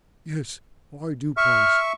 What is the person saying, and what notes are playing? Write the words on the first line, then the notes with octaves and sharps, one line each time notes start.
Yes, I do promise.
E5 C#6 F6